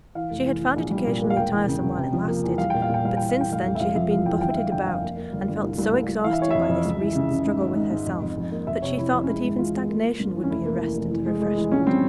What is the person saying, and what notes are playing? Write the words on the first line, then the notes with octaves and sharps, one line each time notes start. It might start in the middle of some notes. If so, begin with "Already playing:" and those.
She had found it occasionally tiresome while it lasted; but since then she had been buffeted about, and felt so exhausted by this recent struggle with herself, that she thought that even stagnation would be a rest and a refreshment.
E3 F5
F1
E3
E3
A#1
G3
A#2
A#3
F5
E1 G5
E2
C#3
C#3
C3
F3
A#3
E2
G3 F5
A#2 G5
F5
A#2 G5
G3 F5
E3 G5
F5
E3
G5
F1 F5
F1
E5
F3 F5
F3 E5
E2 F5
E2 G5
F5
G1 G5
E5
G1 F5
G1 G5
F2 F5
A#3
A#3
G1
G1
C2
C2
C2
C2
E3 F5
E5
E3 C#5
F2 E5
F2
C#2
E3
C#3
C#3
G#2
G#1
G#2
G#2
F2
F2
F2
A#3
F2 E5
C3 C#5
F2 E4
F2 E4
C#4
G#3 E4
G#1
E3 F4
G#3
A#3
A#3
G2
E3
C#4
F1 E4
A#3
E3
F1
E3
G#3
G#3
E3
A#1 C#4
G3 C4